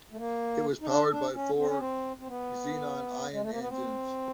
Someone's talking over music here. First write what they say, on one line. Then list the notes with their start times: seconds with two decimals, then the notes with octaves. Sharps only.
It was powered by four xenon ion engines.
0.12 A3
0.17 A#3
0.81 D#4
0.87 D4
1.11 D4
1.34 C#4
1.57 C4
1.68 C#4
1.78 C4
2.19 C4
2.28 B3
3.33 G#3
3.42 A3
3.50 A#3
3.60 B3
3.68 C4